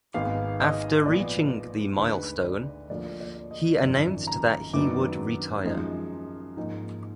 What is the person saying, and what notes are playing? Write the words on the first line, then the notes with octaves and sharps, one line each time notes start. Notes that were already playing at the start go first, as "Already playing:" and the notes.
After reaching the milestone, he announced that he would retire.
G#1 G#2 D#3 G#3 B3 F5
D#5
A#2 F3 B3 D5
D2 D3 G#3 D#4 B4
D5
D2 D3 F3 A#3 F4 D5
D5
D#5
G#1 F#2 F3 D5
A#5
F#2 D#3 F#3 B3 D4 D6
F#2 F3 G#3 D#4
G#2 F3 A#3 D#4